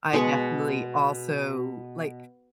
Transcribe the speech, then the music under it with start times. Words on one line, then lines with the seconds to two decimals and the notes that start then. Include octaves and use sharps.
I definitely also, like
0.13 B2 G#3 B4 C#6